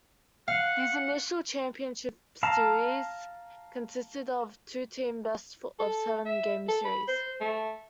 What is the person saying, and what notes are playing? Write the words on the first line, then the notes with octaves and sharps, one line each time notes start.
These initial championship series consisted of a two-team best-of-seven games series.
F5 F#5
F5 A5 A#5 E6 F6
A4
E5
A4
B5
C5
A3